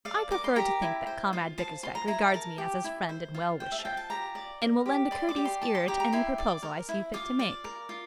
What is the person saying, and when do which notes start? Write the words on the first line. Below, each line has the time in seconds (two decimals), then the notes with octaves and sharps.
I prefer to think that Comrade Bickersdyke regards me as his friend and well-wisher, and will lend a courteous ear to any proposal I see fit to make.
0.05 D5 F5
0.31 A#4 D6
0.44 C6
0.56 G4 A#5
0.82 E4
1.07 C5
1.33 F4
1.58 C5 A5
1.83 F4 C6
1.95 A#5
2.08 E4 A#5
2.34 A#4 A5
2.58 G4
2.84 E4
3.09 C5
3.34 F4
3.60 C5 G5
3.72 E5
3.79 A5
3.85 F4 G5
3.97 A5
4.10 G4 A#5
4.35 D5
4.62 A#4
4.86 G4
5.11 D5 C6
5.29 D6
5.36 G4
5.45 C6
5.62 D5 A5
5.75 C6
5.88 G4 A#5
6.00 A#5
6.13 E4 C6
6.38 D5
6.63 A#4
6.89 E4
7.14 F4 D6
7.39 D5
7.64 A#4
7.89 F4